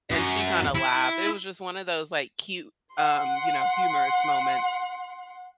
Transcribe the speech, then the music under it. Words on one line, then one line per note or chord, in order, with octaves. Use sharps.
And she kinda laughed. It was just one of those, like, cute, um, you know, humorous moments.
F#2
E4
F#5 C6